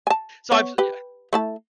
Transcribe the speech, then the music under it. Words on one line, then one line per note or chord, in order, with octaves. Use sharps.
So I've yeah.
G#5 A5
B3 C#5
G4 B4
A3 E4 A5